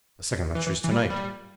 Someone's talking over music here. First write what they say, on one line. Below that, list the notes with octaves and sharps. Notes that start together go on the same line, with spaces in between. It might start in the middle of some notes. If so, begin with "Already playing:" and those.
The second lecture's to-night.
E3
E3
E3
G3
G3